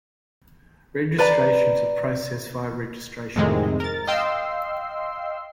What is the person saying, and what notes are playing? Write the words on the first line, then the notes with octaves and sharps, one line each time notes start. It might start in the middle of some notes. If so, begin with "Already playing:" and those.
Registrations are processed via registration agents.
B4 D5 A#5
F2 A2 C3 D#3 G#3
A#4 A6
D#5 F5 G5 C6 E6 C7